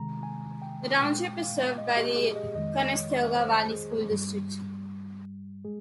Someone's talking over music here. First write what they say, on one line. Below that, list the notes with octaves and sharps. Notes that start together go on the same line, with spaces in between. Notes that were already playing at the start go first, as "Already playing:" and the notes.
The township is served by the Conestoga Valley School District.
Already playing: C3 D#3 G#3 A#5
G#5
G5
A#2 G#3 G5
F5
D#5
G4
G#4
D#5
F2 D#3 G#3 D#5
C#5
C5
G#4
G2 G3
G#3 G#4